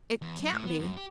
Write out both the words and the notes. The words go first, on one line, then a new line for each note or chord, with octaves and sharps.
"It can't be."
E2
F#2
A2
B3
F#2
G4